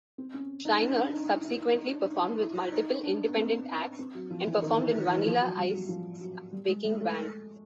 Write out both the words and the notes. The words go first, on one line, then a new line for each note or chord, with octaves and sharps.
Shriner subsequently performed with multiple independent acts, and performed in Vanilla Ice's backing band.
C4
C#4
D#4
C#4
D4
D#4
E4
E4
D#4
D#4
D4
D#4
E4
D#4
D4
B3
C4
C4
F#3
F3
E3
D#3
E3
D#3
E3
F3
F#3
G3
F#3
F3
F#3
G3
G#3
G#3
A3